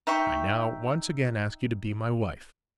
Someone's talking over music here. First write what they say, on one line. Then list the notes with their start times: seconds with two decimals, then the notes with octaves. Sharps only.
I now once again ask you to be my wife.
0.07 D#4 E5 G5 C#6